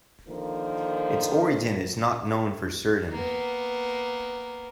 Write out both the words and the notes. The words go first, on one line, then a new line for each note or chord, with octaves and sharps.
Its origin is not known for certain.
D3 D#3 F3 A#3
A#3 B3